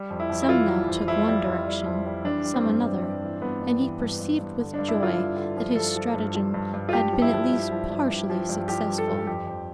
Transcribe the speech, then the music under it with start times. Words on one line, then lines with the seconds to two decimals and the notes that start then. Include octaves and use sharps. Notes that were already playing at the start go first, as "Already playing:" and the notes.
Some now took one direction, some another, and he perceived with joy that his stratagem had been at least partially successful.
Already playing: G3
0.10 F2
0.20 E4
0.30 F2
0.42 E4
0.49 E3 F4
0.69 G3
0.88 F2
1.08 F2 E4
1.27 G3
1.47 F2
1.66 G3
1.86 F2
2.06 G3
2.25 E3 D4
2.44 G3
2.54 C4
2.64 G2
2.84 E3
3.03 G2
3.23 E3
3.42 G2 B3
3.61 G2
3.81 E3
4.00 G2
4.20 G2
4.39 G2
4.58 D3
4.74 D4
4.79 G2
4.88 E4
4.98 D3 F4
5.17 G2
5.37 D3
5.57 F3
5.75 G2 A4
5.96 F3
6.15 G2
6.34 F3
6.54 G2
6.74 G2
6.89 F4
6.93 G2 G4
7.13 F3
7.22 E4
7.32 F3
7.52 G2
7.71 F3
7.90 G2
8.10 G2
8.30 F3
8.49 G2
8.68 F3 G4
8.88 G2
8.98 A4
9.08 G2
9.27 F2 G4
9.47 F2